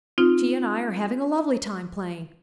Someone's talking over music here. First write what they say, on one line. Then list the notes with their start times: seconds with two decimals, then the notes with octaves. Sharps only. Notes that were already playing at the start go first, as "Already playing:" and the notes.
"She and I are having a lovely time playing."
0.18 C4 D#4 F4